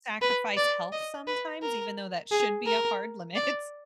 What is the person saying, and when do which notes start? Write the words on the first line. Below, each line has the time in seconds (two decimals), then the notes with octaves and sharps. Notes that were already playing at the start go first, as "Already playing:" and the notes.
sacrifice health sometimes, even though that should be a hard limit.
0.22 B4
0.57 D5
0.92 D#5
1.27 B4
1.62 A#4
2.31 G#4
2.66 A#4
3.36 D5